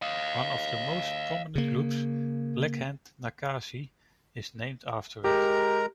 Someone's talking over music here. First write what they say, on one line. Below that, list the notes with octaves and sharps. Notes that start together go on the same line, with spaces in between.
One of the most prominent groups, Blackhand Nakasi, is named after it.
D#5 F5
C#3 A#3
G#3 G4 A#4 A#5